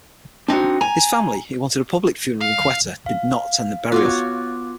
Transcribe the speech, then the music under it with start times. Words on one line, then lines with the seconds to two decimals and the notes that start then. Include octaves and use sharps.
His family, who wanted a public funeral in Quetta, did not attend the burial.
0.48 C4 D4 D#4 F#4
0.81 G#5 A#5
2.40 F5
3.06 F5
3.92 B3 F4 F#4 C#5 D6 F#6